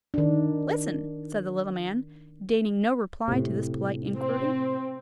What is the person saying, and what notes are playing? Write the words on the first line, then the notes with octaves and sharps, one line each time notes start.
"Listen!" said the little man, deigning no reply to this polite inquiry.
D#3 D4
A2 C3
C4